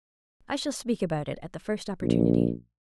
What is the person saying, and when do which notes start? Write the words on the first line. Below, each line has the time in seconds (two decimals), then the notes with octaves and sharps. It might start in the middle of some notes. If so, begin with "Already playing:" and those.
I shall speak about it at the first opportunity.
2.02 A#1